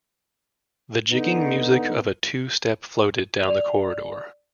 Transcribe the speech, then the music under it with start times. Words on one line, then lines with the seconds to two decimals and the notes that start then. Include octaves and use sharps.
The jigging music of a two-step floated down the corridor.
1.11 D3 B3 D#4
3.43 D5 F7